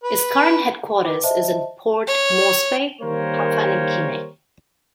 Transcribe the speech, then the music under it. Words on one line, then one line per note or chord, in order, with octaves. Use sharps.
Its current headquarters is in Port Moresby, Papua New Guinea.
B4
B4 D6
C5 D#5 E5 A5
C#5
D#3 G3 A#3 A#4 C5 C#5